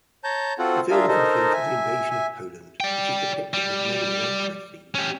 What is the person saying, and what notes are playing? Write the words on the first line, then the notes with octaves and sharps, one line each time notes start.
The film concludes with the Invasion of Poland, which is depicted with many inaccuracies.
C#5 A5 A#5 G6
C4 F4 F#4 A4 F#5
D4 F4 G#4 A#4 E5 F5
D#4 A4 A#4 C5 D#5
E5 G#5
E5 G#5
D5 G5
G3
C#4 G4